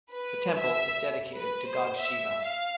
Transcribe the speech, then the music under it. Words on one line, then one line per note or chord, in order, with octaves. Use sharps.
The temple is dedicated to God Shiva.
B4
E5
B4
C5
E5
F5